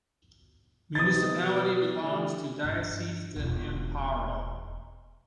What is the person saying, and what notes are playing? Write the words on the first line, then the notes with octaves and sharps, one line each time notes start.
Municipality belongs to Diócesis de Amparo.
C3 B3 D#4 D#6 A6
B2
A2 D3 G3
G2
E1 F4